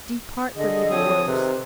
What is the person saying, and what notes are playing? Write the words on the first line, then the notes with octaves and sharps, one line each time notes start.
Depart from evil works.
D3 G#4 A4 D#5
F3 C4 C#5 D#6
C3 D#3 B4